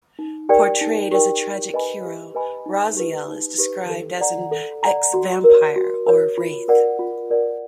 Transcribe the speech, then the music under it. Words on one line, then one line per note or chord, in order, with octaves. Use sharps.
Portrayed as a tragic hero, Raziel is described as an "ex-vampire" or "wraith".
D#4
G4 A#4 D5 G5
D#4
G4 A#4 D5 G5
G4
B4 D#5 G#5 B5
G4
B4 D#5 G#5 B5
D#4
G4 B4
D#4
G4 B4
A4
D5 F#5 A#5
A4
D5 F#5 A#5
F#4
A#4 C#5
F#4
A#4 C#5
F4
A#4 D5 F#5
F4
A#4 D5 F#5